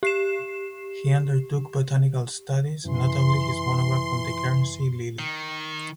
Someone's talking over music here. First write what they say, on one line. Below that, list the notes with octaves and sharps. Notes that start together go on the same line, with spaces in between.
He undertook botanical studies, notably his monograph on the Guernsey Lily.
G4 C7 E7
F#2 C3 E3 C6
D#3